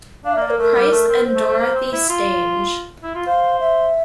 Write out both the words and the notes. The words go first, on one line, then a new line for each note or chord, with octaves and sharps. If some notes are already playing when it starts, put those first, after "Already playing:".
Price and Dorothy Stange.
D4 F5
A#3 E5
D5
A#3 A#4
A3 A#4
G3
A3
C4
C5
A3
A3
A#3
C4
E4
F4
E4
F4
C5 F5
E5